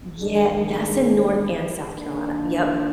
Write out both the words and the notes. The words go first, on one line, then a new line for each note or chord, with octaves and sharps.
yeah that's in North and South Carolina. Yep,
G#2 D#3 G#3 D4 G#4
D#3 A#3 D4